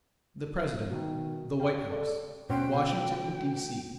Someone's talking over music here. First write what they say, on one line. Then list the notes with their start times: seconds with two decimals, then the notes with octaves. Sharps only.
The President, The White House, Washington, D. C.
0.90 B2 D#3
1.60 C#5 F5 G5
1.90 A4 D5
2.50 D2 B2 C#4 C5 F#5 G5